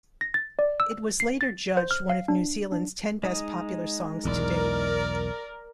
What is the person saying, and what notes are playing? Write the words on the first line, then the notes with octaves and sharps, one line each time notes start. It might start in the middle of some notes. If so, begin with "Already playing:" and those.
It was later judged one of New Zealand's ten best popular songs to date.
A#6
A6
D5
E6
C7
A6
C5
F6
F5
D4
D4
G#3 D#4 D#6
B1 E2 A#4 D5